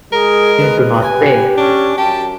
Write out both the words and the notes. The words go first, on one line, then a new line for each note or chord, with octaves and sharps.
They do not pay.
G#3 G#4 A#4
B4
G4 G#5
C#4 D4
F#2 G4 A5